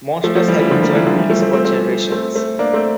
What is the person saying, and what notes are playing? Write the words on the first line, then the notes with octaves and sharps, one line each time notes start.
Monsters have enjoyed cookies for generations.
F3 A3
F3 A3
E3 G3
E3 G3
D3 F3
G3 A#3
E3 G3
D3 F3
E3 G3
F3 A3
A3 C4
A3 C4
A3 C4
A3 C4
A3 C4
A#3 D4
A3 C4